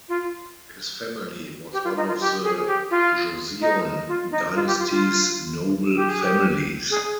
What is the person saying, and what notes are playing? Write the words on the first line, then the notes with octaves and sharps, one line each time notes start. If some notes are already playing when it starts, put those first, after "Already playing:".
His family was one of the Joseon Dynasty's noble families.
F4
G4
F4
D#4
F4
G4
G#4
G4
F4
D#4
F4
D#4
F4
G4
F4
F4
G4
G#4
G4
G#4